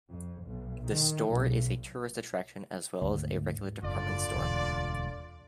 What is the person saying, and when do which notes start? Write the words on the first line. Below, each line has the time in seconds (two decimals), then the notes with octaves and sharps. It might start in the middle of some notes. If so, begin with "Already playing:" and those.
The store is a tourist attraction as well as a regular department store.
0.11 F2
0.45 B1
0.87 D#3
1.30 B1
3.02 D2 G#2
3.83 F#1 D3 F4 D5
4.34 E1 D2